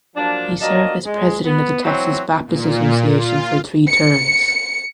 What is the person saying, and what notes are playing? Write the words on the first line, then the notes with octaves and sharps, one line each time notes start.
He served as president of the Texas Baptist Association for three terms.
F3 F#3 A#3 D4
F3 F#3 A#3 D4 A#4 D#5
G#3
B3
E3 F#3 C4
A#2
F4
C#7